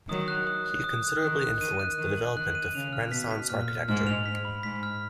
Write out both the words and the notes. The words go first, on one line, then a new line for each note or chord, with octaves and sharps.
He considerably influenced the development of Renaissance architecture.
D#3 F#3 D#6
F#6
D#6
F#6
D#6
F#6
D#3 F#6
F#6
D#3 D#7
F#6
D#3 D#7
F#7
D#3 F#6
D#7
C#3 F7
F6
B2 B6
B6
A#2 F6
F6
G#2 F6
F7
B6
B5
G#2 B6
F6